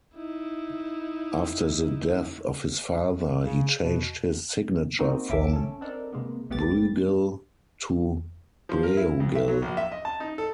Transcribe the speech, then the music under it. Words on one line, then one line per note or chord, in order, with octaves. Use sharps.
After the death of his father he changed his signature from 'Brueghel' to 'Breughel'.
D#4 E4
C#3
B2
A#3 C4 D#4 F#4
A#1 D#2 A#3 C#4 E5 D6
C#4 A4
C4 D4 D#4 A4 A#4
C3 G#3 A#3 B3
A#1 A3 B3 G4 A6
F3
A#4
E4
F2
E5
F#3
A#1
E5
D#5
A5
D#4
A4